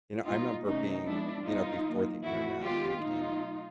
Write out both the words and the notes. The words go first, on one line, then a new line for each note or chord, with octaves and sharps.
you know, I remember being you know, before the Internet thinking,
B2 G3 A#3 D#4 F4
C3 E3 A3 C#4 D#4
C#3 F3 G#3 B3 D4 E4
B2 G3 B3 D#4 F4
D#3 F#3 A#3
A2 E3 A3 E4 F#4
D#3 G#3 B3 F4 G4
B2 F#3 A3 D#4 F4